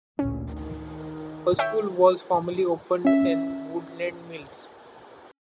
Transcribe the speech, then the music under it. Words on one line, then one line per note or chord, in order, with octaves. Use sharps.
A school was formerly opened in Woodland Mills.
A1 D2 A#2 C#4
D#3
C#5 E5 G5
C#4 E5